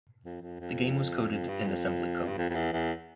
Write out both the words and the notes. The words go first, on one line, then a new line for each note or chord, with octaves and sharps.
The game was coded in assembly code.
F2
F2
F2
F2
G2
F2
G2
F2
F2
E2
E2